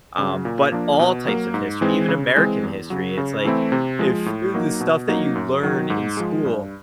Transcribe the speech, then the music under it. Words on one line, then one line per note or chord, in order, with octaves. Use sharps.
um, but all types of history, even American history, it's like if, eh, the stuff that you learn in school
C#3 F#3
A#2
F3 A#3 D4
B2
F#3 A#3
G#2
E3 G#3 C4
C#3
E3 G#3 C4
E2
C#3 F#3
C#3
E3 A3 C4 E4
C3
F3 G#3
A2
F#3 A#3 D#4
B2
F#3 A#3 D#4
F#2
D#3 F#3
G#2
F3 G#3
G2